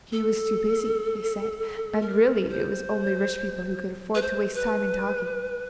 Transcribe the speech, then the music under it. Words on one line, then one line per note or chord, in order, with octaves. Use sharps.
'He was too busy,' he said, 'and really it was only rich people who could afford to waste time in talking.'
A4
A#4
C5
B4
C5
B4